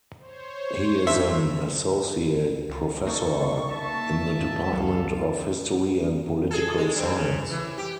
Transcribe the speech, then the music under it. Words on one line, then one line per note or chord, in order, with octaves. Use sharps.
He is an associate professor in the department of History and Political Science.
C5 C#5
G2 D4 E5 C6
C#2
A#3 D#4 A4 C#6
E5 A5
G#2
C#2 F#3 A4 F5
G#4 A4
G#3
G2 C4
C#3
E3
G4